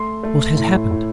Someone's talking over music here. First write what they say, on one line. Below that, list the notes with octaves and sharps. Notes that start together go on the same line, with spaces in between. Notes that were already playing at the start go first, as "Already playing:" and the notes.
What had happened?
Already playing: A3 C6
A3
A2
A2